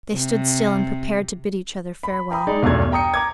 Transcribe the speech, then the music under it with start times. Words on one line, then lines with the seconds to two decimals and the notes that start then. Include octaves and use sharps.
They stood still and prepared to bid each other farewell.
0.14 C3
2.03 B5
2.31 G5 A#5 B5 D#6
2.47 G#3 D#4 D5
2.62 B1 E2 G2 A3 G#6
2.92 G5 A#5 D#6 C#7
3.14 A#5 D6 G#6